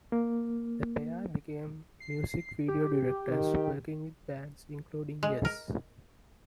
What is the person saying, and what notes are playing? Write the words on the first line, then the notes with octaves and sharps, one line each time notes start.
The pair became music video directors, working with bands including Yes.
A#3
C7
G4
D#3
G#3
A#4